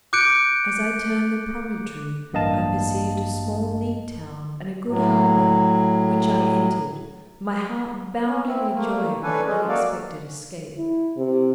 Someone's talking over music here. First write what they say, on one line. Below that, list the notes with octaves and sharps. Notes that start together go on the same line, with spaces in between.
As I turned the promontory I perceived a small neat town and a good harbour, which I entered, my heart bounding with joy at my unexpected escape.
D6 F#6 G6 C#7 D7
A1 G2 A#3 D#5 F5 A5
A2 F#3
C#4
C4 E4
A3 A#3
A3 C#4 D4 A4 B4 G#5
G#3 C#4 G#4
A#3 F#4 A4 D5 F5
E4
C3